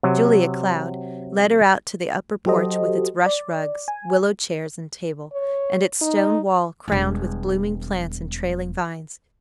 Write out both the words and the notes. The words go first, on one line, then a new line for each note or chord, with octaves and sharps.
Julia Cloud led her out to the upper porch with its rush rugs, willow chairs, and table, and its stone wall crowned with blooming plants and trailing vines.
C3 F#3
F#3 F#4 G4 A4 C5 D#5
D5
G#5
C#5
D#4
E1 G3